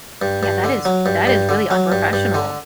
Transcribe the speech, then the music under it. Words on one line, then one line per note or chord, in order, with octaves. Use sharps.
Yeah, that is that is really unprofessional.
G2
G2
D3
F#3
G2
G2
D3
F#3
G2
G2
D3